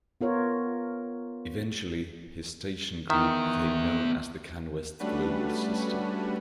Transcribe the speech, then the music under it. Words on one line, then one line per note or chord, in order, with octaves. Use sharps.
Eventually, his station group became known as the Canwest Global System.
B3 F4 A#4 C#5
D#3 B3 E5
G3 A3 C#4 D4 F#4 B4